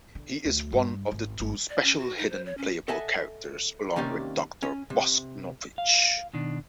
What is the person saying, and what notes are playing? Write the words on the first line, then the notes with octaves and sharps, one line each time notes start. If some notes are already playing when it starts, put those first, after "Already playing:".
He is one of the two special hidden playable characters, along with Doctor Boskonovitch.
D3
D2
G2
G#1
G1
D5
C#4
F#4
D#4
C5
C#5
C#4
A4 D#5 E5 F#5 G#5 A5
D#2 C3 A#3 C#4 G4 D5
C#4
C3
F5
B2 D#3 D4